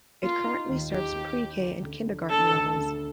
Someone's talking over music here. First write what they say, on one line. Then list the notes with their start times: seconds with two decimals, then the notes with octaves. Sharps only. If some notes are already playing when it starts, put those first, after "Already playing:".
It currently serves Pre K and Kindergarten levels.
0.23 A#3 F4
0.46 D#4
0.69 D#2
0.92 D#4 G4
1.15 A#3
1.38 D#4
1.60 D2
1.84 D3
2.07 D4
2.30 D4 A4
2.53 D2
2.76 D3